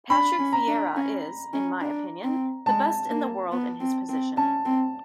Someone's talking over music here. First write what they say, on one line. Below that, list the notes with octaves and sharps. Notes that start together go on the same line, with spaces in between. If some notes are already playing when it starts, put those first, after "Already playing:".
Patrick Vieira is, in my opinion, the best in the world in his position.
D4 B5
C#4
A#5
D4
C#4
C#4
D4
C4
G#3 A5
A#3
B3
C4
C4
C#4 A5
C4